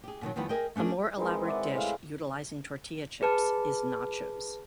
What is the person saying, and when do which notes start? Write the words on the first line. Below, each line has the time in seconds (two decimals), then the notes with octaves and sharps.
A more elaborate dish utilizing tortilla chips is nachos.
0.04 G4 G#4
0.22 B2 D3 D#3 F#3
0.36 E2 D#3 F3 G3 B3 F#5
0.49 G#4 A#4 D#5 E5 G5
0.76 A3 C#4 D4 G#4 A#4
1.17 D#3 E3 G#3 C4
1.44 D5 E5 F#5 G#5
1.75 A2 F5
3.22 G#4 B4 A5